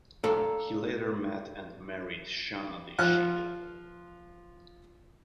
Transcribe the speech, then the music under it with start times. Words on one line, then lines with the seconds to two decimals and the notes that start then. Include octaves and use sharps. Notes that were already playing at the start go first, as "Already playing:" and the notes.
He later met and married Shanna the She-Devil.
0.24 A4 D5 F5 A#5
2.99 F3 F4 F6 F#6